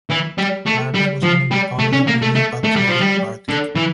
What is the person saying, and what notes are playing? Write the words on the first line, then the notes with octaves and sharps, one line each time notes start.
Larbi was one of the founders of the New Patriotic Party.
E3
G3
A3
G3
F3
G3
A3
C#4
A#3
A3
A3
A3
G3
F3
G3
D3
E3